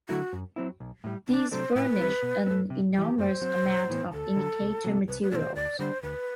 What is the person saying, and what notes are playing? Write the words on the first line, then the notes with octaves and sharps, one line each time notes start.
These furnish an enormous amount of indicator material.
D3 F#3 A3 E4 F#4
F#2
F#3 C4 E4
B1
A2 G3
C2 D4
C3 F#3 A3 D4 C5
A2 B4
G3 C4 E4
B2
C4
A3
C3
E3 G3 G4
F#2 C5
F#3 C4
B1
A2 E3 B3
D2 A4
D3 F#3
C2
C3 F#3
C2 B4
B4
B2 A3 D4 C5 D5
D2 D5
D3 G3 D4 C5
D2 B4